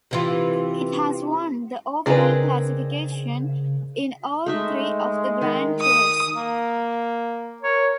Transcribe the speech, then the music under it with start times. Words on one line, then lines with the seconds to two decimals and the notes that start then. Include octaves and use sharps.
It has won the overall classification in all three of the Grand Tours.
0.11 C3 E3 F4
2.06 C#3 C4 D4 D#4 G#4 A#4 B4
4.46 G#3 A3 D#4 E5
5.41 D#3
5.80 D#6
6.35 A#3
7.62 A#4 C#5